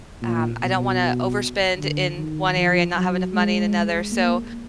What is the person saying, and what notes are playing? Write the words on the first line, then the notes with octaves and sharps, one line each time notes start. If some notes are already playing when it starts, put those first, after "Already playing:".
um, I don't wanna overspend in one area and not have enough money in another, so,
A#2
B2
D3
D#3
F3
F#3
G#3
A#3